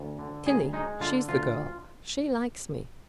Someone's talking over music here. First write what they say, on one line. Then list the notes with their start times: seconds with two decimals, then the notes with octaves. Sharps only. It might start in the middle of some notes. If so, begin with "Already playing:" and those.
Tillie--she's the girl--she likes me.
Already playing: D2
0.19 D3
0.46 D2 G#4
0.73 G#3 D#4
1.00 D3 F4
1.29 D2 F4